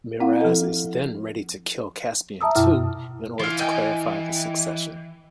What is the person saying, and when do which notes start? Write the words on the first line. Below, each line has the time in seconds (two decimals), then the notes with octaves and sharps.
Miraz is then ready to kill Caspian too, in order to clarify the succession.
0.20 C4 E4 F5 F#5
0.41 F3 A4
2.41 E5 A5 A#5 D#6 E6
2.55 F#2 B2 E4 F6
3.39 E3 F4 F5
3.59 D#5 G5 G#5